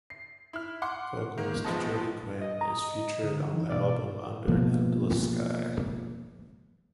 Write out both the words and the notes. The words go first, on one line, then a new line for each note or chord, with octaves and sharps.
Vocalist Jody Quine is featured on the album "Under An Endless Sky".
C7
E4 F6
F#5 C6 D6
D#3 A#3
B1 F3 G#3 B3 D#5 A5
D#5
A#5
D3
E3 D#4
B2 D5
B2 F3 A#3 B3